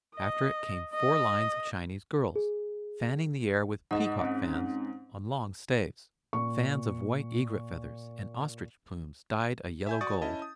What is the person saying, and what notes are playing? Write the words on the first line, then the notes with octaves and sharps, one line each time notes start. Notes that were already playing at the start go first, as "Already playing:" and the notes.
After it came four lines of Chinese girls, fanning the air with peacock fans on long staves, fans of white egret feathers, and ostrich plumes dyed a yellow gold.
D#5
D#5
G#4
G#2 D#5 F#5
C4 C#4
A#2 C#6
E5 G#5 G6
F#4 D5 C#6 D#6 A6
C#4 E4 D#5 A5
D#6